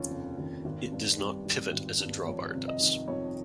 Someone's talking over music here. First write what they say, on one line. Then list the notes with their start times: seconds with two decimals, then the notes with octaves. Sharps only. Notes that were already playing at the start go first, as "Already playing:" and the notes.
It does not pivot as a drawbar does.
Already playing: F1 D#2 C#3 F3 C#5
0.11 F1
0.38 D#2
0.65 G#1
0.92 G2
1.19 G3
1.46 G#1
1.73 G#1
2.00 G2
2.26 F2 C#5
2.54 C3
2.68 D#5
2.80 D#3
3.08 F2 C#5